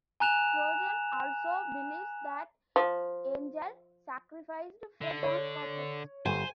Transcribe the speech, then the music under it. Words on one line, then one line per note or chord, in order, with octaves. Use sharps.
Drogyn also believes that Angel sacrificed Fred on purpose.
G#5 A#5 F#6 E7 F7
F3
D3
C#5
G1 C5 G#5